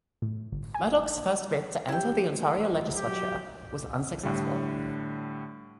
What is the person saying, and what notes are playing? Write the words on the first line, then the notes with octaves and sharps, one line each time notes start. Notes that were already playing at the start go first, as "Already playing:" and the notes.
Murdoch's first bid to enter the Ontario legislature was unsuccessful.
A2
G1
G#5
E4 G4 G5
A3
F#3 G4
A2 D3 G3